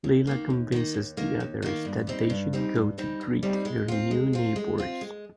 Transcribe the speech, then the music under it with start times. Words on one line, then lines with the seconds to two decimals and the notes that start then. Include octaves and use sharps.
Leela convinces the others that they should go to greet their new neighbors.
0.04 D#2
0.27 D#3 A#3
0.50 D#2
0.72 D#3 A#3
0.94 D#2
1.17 D#3 A#3
1.40 D#2
1.62 D#3 A#3
1.85 G2
2.07 G3 C4 D#4
2.30 G2
2.53 G3 C4 D#4
2.75 G2
2.98 G3 C4 D#4
3.21 G2
3.43 G3 C4 D#4
3.65 G#3
3.88 C4 F4
4.11 G#3
4.33 C4 F4
4.56 G#3
4.78 C4 F4
5.01 G#3